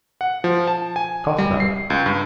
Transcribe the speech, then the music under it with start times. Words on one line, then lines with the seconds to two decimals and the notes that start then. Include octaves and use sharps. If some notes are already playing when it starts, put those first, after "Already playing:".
Cough it up.
0.21 F#5
0.44 F3
0.67 A5
0.96 G#5
1.38 G3
1.60 C7
1.90 C#2
2.06 G2